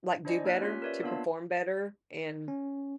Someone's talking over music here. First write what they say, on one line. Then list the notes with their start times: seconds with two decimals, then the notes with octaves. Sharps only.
like, do better, to perform better, and,
0.25 D4 E4 C5 D5 D#5 G#5
0.44 A#3 A#5 F6 F#6
0.61 C#4 F4 G4 C#5 B6
0.82 A#4 B4 C#5 D5 E5
1.02 A#3 B3 D4 F4 F5 A5
2.48 C#4